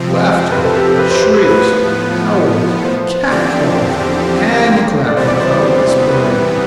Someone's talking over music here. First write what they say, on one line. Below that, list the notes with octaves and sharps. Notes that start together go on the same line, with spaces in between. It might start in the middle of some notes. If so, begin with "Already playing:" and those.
Laughter, shrieks, howls, catcalls, hand-clapping followed this parade.
Already playing: F2 C3 F3 C4 C5
B4
A4
G4
G4
B4
C5
C5
B4
A2 F3 B3 B4
C5
E2 D3 F3 C4 G4 D5
D5
C3 E3 G3 B3 C5
D5
C5
D5
C5
B4